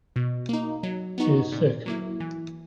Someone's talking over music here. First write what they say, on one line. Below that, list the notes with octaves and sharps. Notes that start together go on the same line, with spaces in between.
She is sick.
B2
A#3 D#4
F#3
B3 D#4 F#4
A#2
F#3 A#3 E4
E3